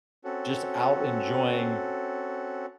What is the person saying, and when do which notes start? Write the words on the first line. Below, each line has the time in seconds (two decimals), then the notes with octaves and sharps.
just out enjoying
0.24 C4 C#4 F#4 A4